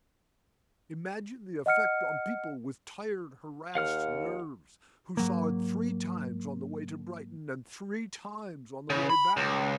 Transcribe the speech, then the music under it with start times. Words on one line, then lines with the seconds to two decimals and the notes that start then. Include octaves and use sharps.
Imagine the effect on people with tired, harassed nerves who saw it three times on the way to Brighton and three times on the way back.
1.66 D#5 F#5 F6 C#7
3.75 D#2 F5 F#5 F6
5.17 G#2 F#3 A#3
8.90 C#3
9.10 B5
9.37 C#2